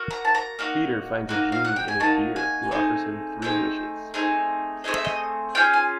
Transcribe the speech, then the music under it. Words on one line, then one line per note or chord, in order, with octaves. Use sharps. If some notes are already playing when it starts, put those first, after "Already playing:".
Peter finds a genie in his beer who offers him three wishes.
Already playing: A#3 F#4
A#5
A5
A#5
A#3 D#4 F#4
A#3 D#4 F#4
F5
F#5
G5
G#5
A#3 D#4 F#4 A5
G#5
A3 C4 D#4 G#4
A3 C4 D#4 G#4 G5
A3 C4 D#4 G#4
A3 C4 D#4 G#4 D#5
E5
D#5
C#4 F4 G#4 G5
G#5